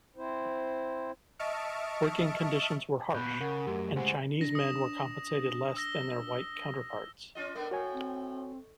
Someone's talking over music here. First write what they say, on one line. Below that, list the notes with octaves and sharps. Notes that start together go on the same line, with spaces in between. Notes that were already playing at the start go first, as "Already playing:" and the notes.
Working conditions were harsh, and Chinese men were compensated less than their white counterparts.
C4 E4 C5
D#5 E5 A5 C#6 F6 D7
A#2 B3 B5 F#6 G6
C#3 A#4 F#5
F#2 A3 G4
C#2 G#3 C5 F#5 G#5
D4 A#6
D#6 E7
E6 A#6 G7
C#4 F4 D#5
A3 B3 D4 A#4
A2 F#4 C#5 G#5
C4